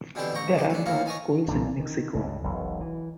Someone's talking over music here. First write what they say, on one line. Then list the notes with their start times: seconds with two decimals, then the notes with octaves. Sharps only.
There are no schools in Mexico.
0.15 B2 D3 E3 C4 E4 G4
0.34 A1 G5 A#5 C#6
0.54 G#3 G4
0.70 A3 D4
0.86 A2 F3 A#3 C#4 E4
1.06 D#3 G#5 A#5 C#6
1.48 B1 A#2 E3 D4
1.80 D#3
2.15 C#2 G2
2.44 E1 B1
2.81 E3